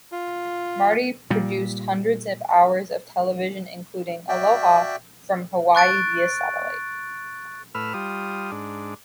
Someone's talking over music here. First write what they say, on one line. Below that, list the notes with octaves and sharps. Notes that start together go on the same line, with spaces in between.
Marty produced hundreds of hours of television including Aloha from Hawaii Via Satellite.
F4
A#2 G3
F#4 D5 E5 G5
C#6 F#6 A6 D7
A2 B4 E6 F6
G3 F4 D#6
G#2 D4